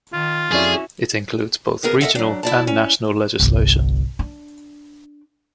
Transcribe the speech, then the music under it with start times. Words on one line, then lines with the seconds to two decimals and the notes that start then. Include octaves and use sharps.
It includes both regional and national legislation.
0.13 D#3 F4
0.52 F2 C#4 E4 F#4 G#4 D5
1.83 D2 B3 G#4 A#4
2.01 A4 A#4 C5 D#5 E5 F#5
2.15 F#3 D4
2.43 E4 D5 A5
2.67 C#4
3.40 G1 C2
4.19 D4